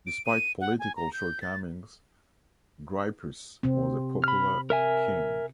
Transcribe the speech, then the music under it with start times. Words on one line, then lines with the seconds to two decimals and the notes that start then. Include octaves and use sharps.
Despite political shortcomings, Grypus was a popular king.
0.07 D7
0.26 D#7
0.61 F#5
0.79 G#5
0.96 A#5
1.13 G6
1.42 A6
3.63 C3 C4
4.24 B5 F6
4.70 A#4 E5 G#5